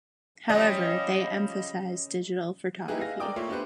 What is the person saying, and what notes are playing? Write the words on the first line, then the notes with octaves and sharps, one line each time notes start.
However, they emphasize digital photography.
C#3 F3 G3 D#5
A#3 D#4 E4 G4 G#4 B4
F5 G#5 A#6
A#4 D5 G5 D6 D#6
A3 A#3 F4 C#5 E5
B3 D4 G4 A4 B4 C5